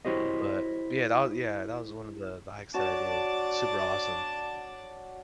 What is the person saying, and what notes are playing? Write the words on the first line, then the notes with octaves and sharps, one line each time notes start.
But yeah, that wa yeah that was one of the, the hikes that I did, super awesome.
E4 F#4 G4 C5 C#5 D#5
D4 F#4 C#5 D5 A5